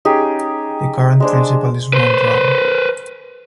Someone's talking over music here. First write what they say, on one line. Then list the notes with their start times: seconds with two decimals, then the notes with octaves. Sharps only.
The current principal is Ron Brown.
0.05 C#4 D#4 G4 G#4
1.20 G#3 D4 C5
1.93 B4 C5